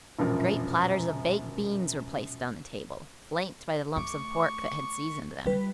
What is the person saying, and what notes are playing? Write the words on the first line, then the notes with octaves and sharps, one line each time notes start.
Great platters of baked beans were placed on the table, flanked by the lumps of pork that had seasoned them.
E1 A#1 F#2 F3 A#4
A3 C#6 D6
G3 F4 B4